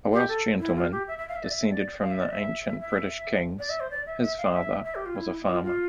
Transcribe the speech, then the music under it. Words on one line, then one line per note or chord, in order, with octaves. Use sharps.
A Welsh gentleman, descended from the ancient British kings, his father was a farmer.
G4
A4
E4
F4
G4
E5
E5
F5
E5
D5
E5
D5
F5
E5
D5
E5
E5
E5
D5
E5
C5
D5
E5
E5
F5
E5
E5
G4
F4
E4
F4
F4